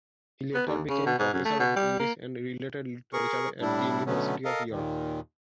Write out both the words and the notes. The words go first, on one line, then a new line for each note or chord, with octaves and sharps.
He later became Professor of English and Related Literature at the University of York.
B3
D#2
C#3
B2
G#2
F#2
A3
B2
G3
A#3
G#4 A#4 C#6
A2 G3 D4 E4
B2 D3 F#3 A3 B3 C#4
A4 A#4 D#5 F5
D#2 A#2 D#3